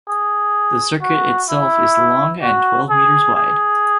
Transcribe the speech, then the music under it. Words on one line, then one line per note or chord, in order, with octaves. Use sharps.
The circuit itself is long and twelve meters wide.
G#4
F#4
E4
F#4
G#4
G#4